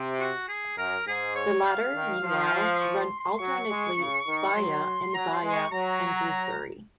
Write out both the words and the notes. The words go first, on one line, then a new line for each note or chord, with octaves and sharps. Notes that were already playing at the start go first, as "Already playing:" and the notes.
The latter meanwhile run alternately via and via and Dewsbury.
Already playing: C3
F#4
G#4
F#2 A#4
G#2 G#4
C#5
F5
D#3
F3
C#6
C6
C6
F#3 C#6
G#3
C#3
D#3
F#3 C6
F#3 A#5
C6
G#3
C#6
F#3 A#5